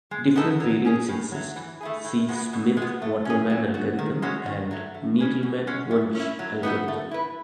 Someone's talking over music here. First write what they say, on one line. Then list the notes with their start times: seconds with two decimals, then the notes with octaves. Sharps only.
Different variants exist, see Smith-Waterman algorithm and Needleman-Wunsch algorithm.
0.11 G#3
0.36 B3 D#4 A4
0.60 F#3
0.85 C#4 G#4
1.09 A2
1.32 F#3 A3
1.56 E3
1.81 A3 E4 G#4
2.05 A2
2.28 G#3 B3 F#4 B4
2.53 B2
2.77 G#3
2.82 B3
3.02 A3
3.25 C#4 G#4
3.50 F#3
3.74 B3 F#4
3.99 D#3
4.22 G#3 C#4 F#4 C#5
4.46 D#3
4.71 F#3 A3
4.94 A3
5.19 C#4 G#4 B4
5.43 B2
5.67 G#3 C#4 F#4 C#5
5.91 A3
6.15 C#4
6.20 E4
6.39 F#3
6.63 B3 D#4 F#4 A4
6.88 A3
7.11 E4 B4